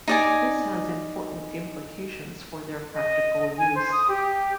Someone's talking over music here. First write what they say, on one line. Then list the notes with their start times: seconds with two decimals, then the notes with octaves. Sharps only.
This has important implications for their practical use.
0.08 D#4 D5 G#5
2.94 D#5
3.57 G#5
3.74 C5
3.92 D#6
4.08 G4